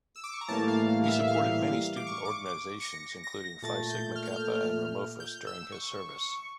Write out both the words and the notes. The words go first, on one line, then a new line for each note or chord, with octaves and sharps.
He supported many student organizations including Phi Sigma Kappa and Romophos during his service.
E6
D6
C#6
A#5
A2 E3 G3 A#3 A5
F5
F5
F5
E5
E5
F5
F5
D6
C#6
D6
D6
C#7
A#6
A#6
A#2 A3 A6
G6
F6
G6
F6
G6
E6
C#6